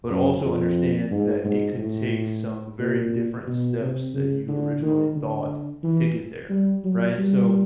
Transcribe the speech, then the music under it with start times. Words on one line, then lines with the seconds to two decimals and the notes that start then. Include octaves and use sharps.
but also understand that it could take some very different steps that you originally thought to get there, right, so
0.10 F#2
0.45 F2
1.11 G#2
1.45 G#2
1.78 A2
2.80 A#2
3.47 B2
3.81 C3
4.14 C#3
4.49 D3
4.82 D#3
5.16 D3
5.83 E3
6.50 G3
6.84 F#3
7.18 G3